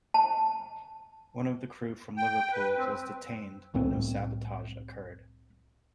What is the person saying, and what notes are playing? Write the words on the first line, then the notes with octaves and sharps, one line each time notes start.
One of the crew from Liverpool was detained but no sabotage occurred.
A5
G5
B4
C4
C2 A2 C4